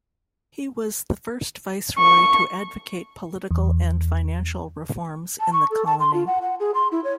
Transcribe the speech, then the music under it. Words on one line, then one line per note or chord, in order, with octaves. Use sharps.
He was the first viceroy to advocate political and financial reforms in the colony.
C#6
E2
A5
C#6
A4
A5
C6
F4
F#5
F#5
G#4
C6
E4
C#5